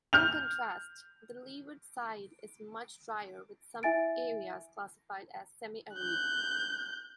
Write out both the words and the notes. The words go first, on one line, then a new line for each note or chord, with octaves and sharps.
In contrast, the leeward side is much drier with some areas classified as semi-arid.
F6 G6 F7
E4 E5 G#5 A6 D7
F#6 G6